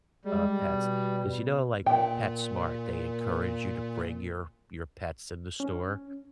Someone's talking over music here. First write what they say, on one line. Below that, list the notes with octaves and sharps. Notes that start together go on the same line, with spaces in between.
uh, pets, 'cause, you know, like, PetSmart, they encourage you to bring your your pets in the store.
G3 G#3
B2
A#2 A#3 G5
C#4